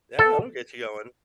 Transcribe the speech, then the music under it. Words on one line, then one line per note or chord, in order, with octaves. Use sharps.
Yeah, it'll get you going.
A4